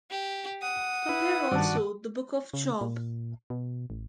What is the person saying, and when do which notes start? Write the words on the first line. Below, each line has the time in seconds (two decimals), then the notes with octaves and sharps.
Compare also the Book of Job.
0.11 G4
0.62 F#5 D#6
1.09 E4 B4
1.51 G2 D#3 F#4 D5 A5
2.53 C#3
2.81 A#2
3.50 B2
3.90 A1